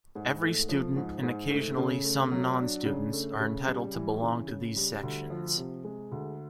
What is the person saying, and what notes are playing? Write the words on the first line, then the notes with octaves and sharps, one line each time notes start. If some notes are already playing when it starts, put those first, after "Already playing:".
Every student, and occasionally some non-students, are entitled to belong to these sections.
G#2
A3
F3
G#2
G#2
A3
C#3
A3
F#3
D4
C#3
A3
C#3
G3
E3
C#3
C#3
G3
D2
F3
C3
G#3
D2